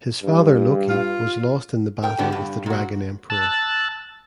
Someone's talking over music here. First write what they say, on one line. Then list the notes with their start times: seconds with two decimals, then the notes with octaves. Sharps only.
His father Loki was lost in battle with the Dragon Emperor.
0.23 G2
0.89 F4
2.03 A#4 G5
2.18 D3 G3 B3 D4 F#4 G4
2.32 G2
2.66 A#2 F#4
3.30 A5 E6 F#6 A6